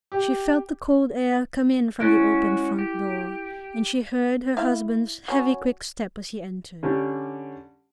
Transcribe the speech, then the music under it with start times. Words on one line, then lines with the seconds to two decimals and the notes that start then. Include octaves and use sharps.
She felt the cold air come in from the opened front door, and she heard her husband's heavy, quick step as he entered.
0.12 G4
2.00 G#3 C#4 E4 F#4 F#6 D7
2.79 G4
4.57 E4 F5
5.28 F#3 C#4 C#5
6.83 D3 G3 C#4 D4